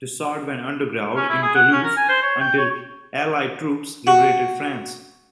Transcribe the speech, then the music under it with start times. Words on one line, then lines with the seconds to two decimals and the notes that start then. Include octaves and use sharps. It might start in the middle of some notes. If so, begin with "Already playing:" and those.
Dissard went underground in Toulouse until Allied troops liberated France.
1.16 C#4
1.29 E4
1.42 G#4
1.55 F#5
1.72 C#4
1.83 A#4
1.96 G#5
2.09 C5
2.22 C#5
2.41 G5
2.57 C#5
4.07 F#4